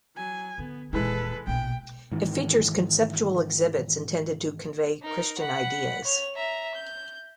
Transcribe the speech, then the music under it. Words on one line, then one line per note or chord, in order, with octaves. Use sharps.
It features conceptual exhibits intended to convey Christian ideas.
F#3 G#5
D3 B3
D#1 E3 G#3 E4 A4 B4
A#1 B2 G5
G#2 D#3 E3
D#4 A#4
F#5 B5
C#5 F7
E5 A#5
G6